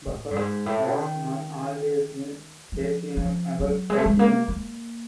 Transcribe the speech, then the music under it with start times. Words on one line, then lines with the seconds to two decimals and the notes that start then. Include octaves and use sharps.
Bahgat has not always been passionate about writing.
0.06 A2
0.31 G2
0.36 G#2
0.66 A2
0.95 D#3
2.72 F3
3.16 F3
3.60 F#3
3.90 G#3
3.98 A3
4.06 G#3
4.19 A#3
4.48 A#3